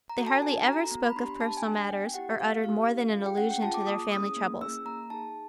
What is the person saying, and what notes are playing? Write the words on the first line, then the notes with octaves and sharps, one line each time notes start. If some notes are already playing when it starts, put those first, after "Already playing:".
They hardly ever spoke of personal matters, or uttered more than an allusion to their family troubles.
A#5
F#4 A4
A5
D4 G#5
F#4 A4 A#5
B3 A#5
B5
D4 G4 C6
B5
B3 A5
G#5
D4 G4
G#5
B3 G5
E4 G4 F#5
B3 F5
E4 G4 F5
C#4
F4 G#4
G5
C#4 F#5
G5
F4 G#4 A5
D6
A#3 D#6
C#4 E4 G#4 D#6
A#3
C#4 E4 G#4 E6
A#3 A#5
D#4 G#4 A5